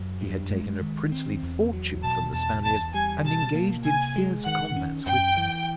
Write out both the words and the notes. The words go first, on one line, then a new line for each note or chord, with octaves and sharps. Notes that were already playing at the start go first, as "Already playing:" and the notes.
He had taken a princely fortune from the Spaniards and engaged in fierce combats with them.
Already playing: F#2
G2
G#3
D#3
C4
E2
F#3
B2 A5
E2 A5
E2 A5
G3 G#5
B2 A5
A#3
C3 G#5
G#3
D#3 F#5
C#4
F#2 G5
E3